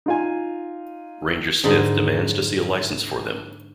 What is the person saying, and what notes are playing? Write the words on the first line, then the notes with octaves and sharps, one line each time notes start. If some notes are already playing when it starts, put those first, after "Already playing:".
Ranger Smith demands to see a license for them.
D#4 F4 G#5
G#2 D3 D#4 G#5 B5